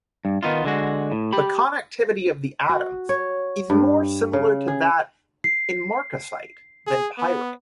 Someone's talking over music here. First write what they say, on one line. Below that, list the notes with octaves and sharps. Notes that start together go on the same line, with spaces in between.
The connectivity of the atoms is more similar to that in marcasite than pyrite.
G2
D#3 B3 D#4 F4
D3 G#3 F#4
A2
G4 B5
F#4
C#5
G2
C#3
G#4
C7
G#4
B3